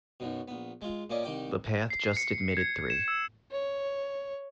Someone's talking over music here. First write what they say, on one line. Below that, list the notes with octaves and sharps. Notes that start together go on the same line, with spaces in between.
The path just admitted three.
B1 F#2 B2
A#1 B3
G#3 F4
A#2 A#3 C#4 D5 D#5
C2 D#3 D#4 G5 D6
C7
C#7
G#6
E7
E6
C#5